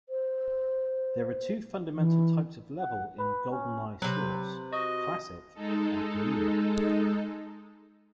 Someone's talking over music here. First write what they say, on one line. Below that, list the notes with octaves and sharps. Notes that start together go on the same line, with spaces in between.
There are two fundamental types of level in "GoldenEye: Source"; "Classic" and "Neo".
C5
E3
F#5
B4
C#4
C3 F#3 B4
F#4 D#5
G#3 D#4 A4